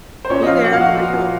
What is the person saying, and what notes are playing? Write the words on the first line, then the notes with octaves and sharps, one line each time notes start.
Hey there, how are you?
C5
A#2 C#4 C#5
D#5
F3 F4 F5
A#2 F#4 F#5
F5
F3 F#4 F#5
A#2 F#4 F#5
A#2